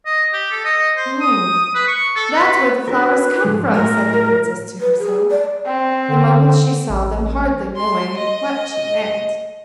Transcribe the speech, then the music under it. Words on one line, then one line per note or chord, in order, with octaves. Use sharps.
"Oh, that's where the flowers come from!" said the princess to herself, the moment she saw them, hardly knowing what she meant.
D#5
G4
A4
D#5
C5
D#6
B4
C#6
A4
B4
D4 F#4 A#4 B4
G#2 F3 G#3
A2 A#4
B4
G#4
D5
C4
D3
A1
C6
D#5